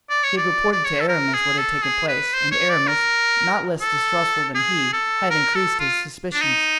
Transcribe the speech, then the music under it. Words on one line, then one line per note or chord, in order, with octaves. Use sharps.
He had reported to Aramis what had taken place, and Aramis, not less distrustful than he, had increased his suspicions.
D5
C#5
D5
D5
C#5
A4
A#4
G#4
A4
G#4
B4
C5
C#5
D5
A#4
A4
G#4
A4
A#4
A4
F4
D4
D#4